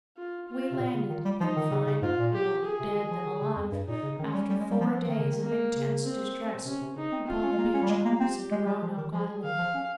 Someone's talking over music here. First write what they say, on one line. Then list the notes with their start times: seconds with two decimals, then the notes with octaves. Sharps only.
We landed, in fine, more dead than alive, after four days of intense distress, upon the beach opposite Roanoke Island.
0.17 F4
0.48 F4
0.72 C3
0.79 A#2
0.94 C#3
1.10 D#3
1.25 G3
1.40 F3 D#4
1.56 D#3
1.71 C#3
1.87 C#3
2.02 G#2 F4
2.18 A#2
2.34 G4
2.64 G#4
2.80 C3
2.95 D#3
3.11 F3
3.26 D#3
3.42 C#3
3.56 F2
3.72 G2
3.88 A#2 D#4
4.03 C#3
4.19 D#3 C#4
4.34 G3
4.50 G3
4.60 G#3
4.70 G3
4.80 F3 C4
4.96 F3
5.07 D#3 A#3
5.19 C#3
5.31 D#3
5.42 A#3
5.73 C#3
6.04 C4
6.65 C3 C#4
6.81 C3
6.96 C#3 D#4
7.12 C4
7.27 C4 F4
7.43 C#4
7.52 G#3
7.58 A#3
7.74 C#4
7.82 G3
7.89 G#3
8.05 A#3
8.16 A#3
8.20 C4 G4
8.51 G#3
8.66 G3
8.82 F3
8.97 D#3
9.13 F3 G#4
9.44 D#3 F5
9.59 F3
9.75 C#4